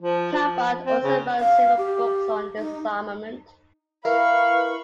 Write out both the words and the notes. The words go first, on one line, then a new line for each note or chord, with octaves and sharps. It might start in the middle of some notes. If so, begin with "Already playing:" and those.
Talbott also wrote several books on disarmament.
F3
F3
C4
C#3
F5
G4
D#4
E4 A#4 B4 F5 B5 C#6